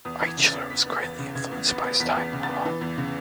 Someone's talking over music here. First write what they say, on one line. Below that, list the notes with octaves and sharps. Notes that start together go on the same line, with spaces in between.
Eichler was greatly influenced by his time in the home.
E2 D#6
E3
G#6
C#3
A6
E2
B3 B6
B3
E2 A6
C#3
C#3 G#6
E2
B3 A6
B3
E2 B6
E2
C#3
A6
B3
E3
E2
C#3